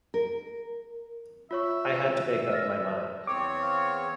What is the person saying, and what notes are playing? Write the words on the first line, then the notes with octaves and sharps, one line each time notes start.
I had to make up my mind.
A#4
F4 C#5 E5 C#6
F6 A6 A#6
E2 C4 C#5 D6
F5